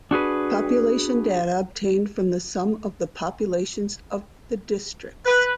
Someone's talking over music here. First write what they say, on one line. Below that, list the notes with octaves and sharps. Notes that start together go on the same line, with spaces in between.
Population data obtained from the sum of the populations of the districts.
D4 F#4 G#4 B4
B4